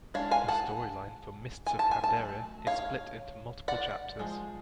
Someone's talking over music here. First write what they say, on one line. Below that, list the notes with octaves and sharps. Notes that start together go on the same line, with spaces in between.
The storyline for "Mists of Pandaria" is split into multiple chapters.
G#3 D4 C#5 F5
F5 G#5
F#5 A5
G#5
A5
G#5
A5
F#3 A3
C#5 F5
D5 F#5
F3 G#3